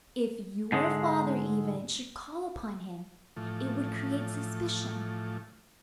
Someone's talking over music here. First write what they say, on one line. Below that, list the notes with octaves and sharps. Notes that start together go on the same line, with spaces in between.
If your father, even, should call upon him it would create suspicion.
G#2 D3 G#3
A2 E3 F3 A3